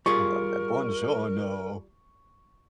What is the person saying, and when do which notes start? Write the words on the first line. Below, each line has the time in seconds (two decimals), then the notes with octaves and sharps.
I love that. Buongiorno.
0.06 G3 F4 G#4 A#4 C#6